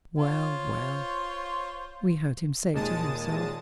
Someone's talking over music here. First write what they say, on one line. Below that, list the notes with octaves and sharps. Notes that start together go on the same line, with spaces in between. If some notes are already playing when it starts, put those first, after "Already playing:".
"Well, well!" we heard him say to himself.
F4 C5 C#5
D#2 A#2 G#3 A5 D#6 A6